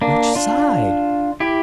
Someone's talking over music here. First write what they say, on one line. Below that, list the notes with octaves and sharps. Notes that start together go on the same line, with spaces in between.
"Which side?"
A#3 D4
D4 F4
E4 G4